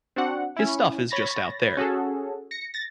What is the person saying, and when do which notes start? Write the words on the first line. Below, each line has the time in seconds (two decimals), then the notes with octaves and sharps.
His stuff is just out there.
0.16 C4 D4 F#4 F#5
0.56 C#4 E4
1.11 C#5 B5 A6 A#6
1.77 C#4 F#4 G#4 A4
2.51 A#6 C#7
2.74 A6 A#6